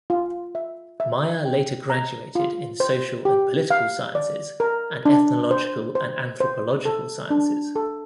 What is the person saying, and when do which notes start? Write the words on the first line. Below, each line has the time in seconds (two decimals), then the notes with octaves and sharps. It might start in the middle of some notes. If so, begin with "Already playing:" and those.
Maia later graduated in Social and Political Sciences and Ethnological and Anthropological Sciences.
0.10 F4
0.55 E5
1.00 E5
1.45 G5
1.90 A#5
2.35 F4
2.80 C5
3.25 G4
3.71 F5
4.15 D5
4.60 A#4
5.05 D4
5.51 C5
5.95 C5
6.40 C5
6.85 A4
7.30 D4
7.76 A4